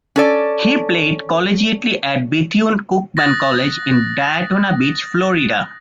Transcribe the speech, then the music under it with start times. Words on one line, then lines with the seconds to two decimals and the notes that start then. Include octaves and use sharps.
He played collegiately at Bethune-Cookman College, in Daytona Beach, Florida.
0.16 C#4 A4 D5
3.17 D#6 F#6 A6 A#6